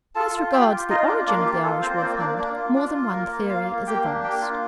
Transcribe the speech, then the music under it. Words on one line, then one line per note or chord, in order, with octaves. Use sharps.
As regards the origin of the Irish Wolfhound, more than one theory is advanced.
F4 A4 A5
F4
F4 G4 G5
F4
D#4 F4 D#5
D4 F4 D5
A#3 D4 D5
F4 G4
F4 A4
C4 F4 C5
D5
A#3 C4 C5
A#3 D4 D5
A#3 D4 D5
F4
D4 F4 D5
F4
A#3 A#4
A#3
F4 F5
A#3
A#3 G4 G5
D4
A#3 G4 G5
F4